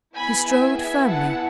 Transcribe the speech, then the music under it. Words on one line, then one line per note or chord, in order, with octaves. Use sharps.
He strode firmly.
B3 E4 G#4 G#5 B5
E5 G#5
E5 G#5
F#5 A5